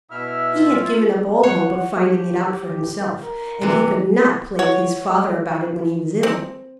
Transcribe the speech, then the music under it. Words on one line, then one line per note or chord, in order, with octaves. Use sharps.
He had given up all hope of finding it out for himself, and he could not plague his father about it when he was ill.
B2 E4 E5 F6
F4
C#5 F#5
G4
A#4
C3 E3
F#4 C#5
C4